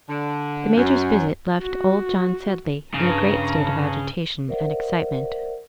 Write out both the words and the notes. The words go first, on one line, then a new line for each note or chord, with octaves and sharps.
The Major's visit left old John Sedley in a great state of agitation and excitement.
D3
F#2
F#4
G2 C#3 A#5
A#4 C5 D5 E5 F#5